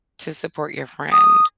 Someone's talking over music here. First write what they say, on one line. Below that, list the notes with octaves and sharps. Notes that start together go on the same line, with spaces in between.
to support your friend.
D#6